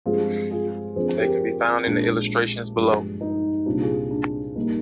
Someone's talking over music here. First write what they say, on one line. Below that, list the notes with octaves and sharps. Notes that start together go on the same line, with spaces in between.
They can be found in the illustrations below.
G2 F3 G#3 C4 F4 G#4
F4 G#4
F2 D3 F3 C4 G#4 C5
G4 A#4
A#1 A#2 G#3 C4 D4
G2 F3 G#3
D#4
C2 A#2 G3 C4 D4 F4
F4 G#4
D4
A#1 G3 A#3 D#4